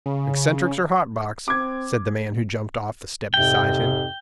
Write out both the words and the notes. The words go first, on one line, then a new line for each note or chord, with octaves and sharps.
'Eccentrics or hot-box,' said the man who jumped off the step beside him.
C#3
C4 D6 G#6
F2 G#2 C3 G5